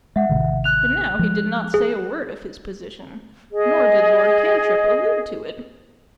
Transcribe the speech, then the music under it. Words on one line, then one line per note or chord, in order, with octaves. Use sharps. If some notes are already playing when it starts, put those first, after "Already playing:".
But now he did not say a word of his position, nor did Lord Cantrip allude to it.
G#3 E5 F#5
A1 C3 D#3
F#6 F7
F3 G#3
G#4
G#4 D#5